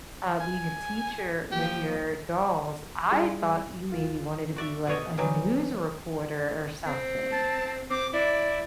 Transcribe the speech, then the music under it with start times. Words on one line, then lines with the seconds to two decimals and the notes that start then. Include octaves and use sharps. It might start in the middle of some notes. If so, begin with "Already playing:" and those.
uh, being a teacher with your dolls, I thought you maybe wanted to be, like, a news reporter or something.
0.41 G#5
1.52 F3 A#3 G4
3.11 G3 E4 G#4
3.92 D#2 F4
4.56 F#4 D5 E5
4.87 B2 G4 C#5 D#5
5.17 E3 F#3 G3 D#4
6.86 C4
7.32 A5
7.90 C4 D6
8.13 E4 D5